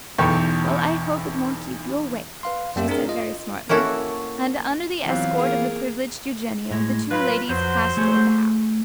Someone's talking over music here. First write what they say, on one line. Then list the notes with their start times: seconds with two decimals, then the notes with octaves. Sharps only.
"Well, I hope it won't keep you awake!" she said very smartly; and, under the escort of the privileged Eugenio, the two ladies passed toward the house.
0.18 B1 E2 A4 G5 C#6
2.43 B4 F5 C6
2.76 F#2 A#3 G4 E5
2.88 C4 D4 G#4 A#4
3.08 F4 D#5
3.69 A#3 C#4 E4 F#4 A4
5.06 E3 F#3 B3 C4 F4 G4
5.34 A#3 G#4 A#4
6.71 A2 G#3
7.11 F#3 F4 B4
7.49 F2 F#3 C5
7.97 A3 G#4 A4